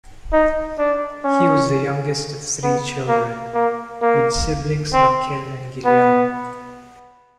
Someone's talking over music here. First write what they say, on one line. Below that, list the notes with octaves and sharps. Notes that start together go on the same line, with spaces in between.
He was the youngest of three children, with siblings Raquel and Guillermo.
D#4
D4
C#4
B3
A#3
A#3
A#3
C4
B3